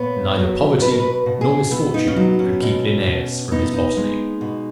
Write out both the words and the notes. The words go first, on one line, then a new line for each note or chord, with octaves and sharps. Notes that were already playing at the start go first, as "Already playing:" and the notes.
Neither poverty nor misfortune could keep Linnaeus from his botany.
Already playing: A#2 B3 C#5
F#3
B2 B4
A#4
B4
B2
G#4
B3 E4
D#4
C#4
F#3 D#4
C#4
B2
B2
B3 D#4
E4
D#4
G#3
B2